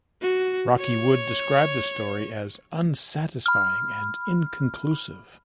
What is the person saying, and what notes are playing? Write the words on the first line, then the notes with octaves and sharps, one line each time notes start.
Rocky Wood described the story as "unsatisfying and inconclusive".
F#4
C#5
B5 F6